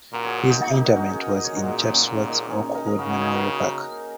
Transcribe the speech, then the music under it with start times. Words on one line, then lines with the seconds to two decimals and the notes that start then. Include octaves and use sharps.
His interment was in Chatsworth's Oakwood Memorial Park.
0.13 A#2 F#4 A#4
0.25 G#4 C#5
0.38 F#4 A#4
0.49 D#4 G#4
0.61 A#3 D#4
0.73 A#3 D#4
0.84 C#4 F#4
0.96 F#4 A#4
1.08 G#4 C#5
1.20 A#4 D#5
1.32 A#4 D#5
1.44 G#4 C#5
1.55 A#2 F#4 A#4
1.68 D#4 G#4
1.79 A#3 D#4
1.92 C#4
2.04 A#3
2.15 C#4
2.27 A#3 D#4
2.51 C#4
2.74 A#4 D#5
2.86 A#4 D#5
2.98 C#3 F#4 A#4
3.10 C#4 F#4
3.22 D#4 G#4
3.33 F#4 A#4